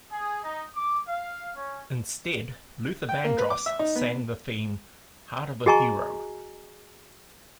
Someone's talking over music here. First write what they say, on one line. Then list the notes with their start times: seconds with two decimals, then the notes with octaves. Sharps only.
Instead, Luther Vandross sang the theme, "Heart of a Hero".
0.12 G#4
0.43 D#4
0.74 D6
1.07 F5
1.55 C#4
3.09 G5
3.24 A#3
3.38 B4
3.50 D6
3.66 E5
3.79 D#4
3.96 B3
5.66 F#4 G#4 D#5 G#5 A#5 C#6